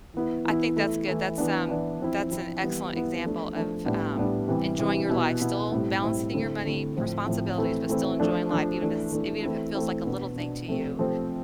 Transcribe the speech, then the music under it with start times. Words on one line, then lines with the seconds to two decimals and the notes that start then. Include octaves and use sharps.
I think that's good, that's, um, that's an excellent example of, um, enjoying your life, still balancing your money, responsibilities, but still enjoying life, even if it's even if it feels like a little thing to you,
0.14 E3 B3 E4
0.45 E3 B3 E4
0.76 E3 A3 E4
1.08 E3 A3 E4
1.38 E3 B3 D4
1.69 E3 B3 D4
2.00 F3 C4 E4
2.31 F3 C4 E4
2.61 E3 G3 B3 E4
2.93 E3 G3 B3 E4
3.23 F3 A3 D4
3.55 F3 A3 D4
3.85 A2 G3 B3 D4
4.16 A2 G3 B3 D4
4.48 C3 E3 G3
4.79 C3 E3 G3
5.10 B2 B3 E4
5.41 B2 B3 E4
5.72 A2 G3 C4 E4
6.03 A2 G3 C4 E4
6.34 D3 A3 C4 E4
6.65 D3 A3 C4 E4
6.96 A2 F3 C4
7.26 A2 F3 C4
7.58 E3 A3 C4 E4
7.89 E3 A3 C4 E4
8.20 F3 A3 D4
8.51 F3 A3 D4
8.81 E3 A3 D4
9.12 E3 A3 D4
9.43 E3 A3 C4 E4
9.75 E3 A3 C4 E4
10.05 B2 B3 D4
10.36 B2 B3 D4
10.67 C3 F3 A3 C4
10.99 C3 F3 A3 C4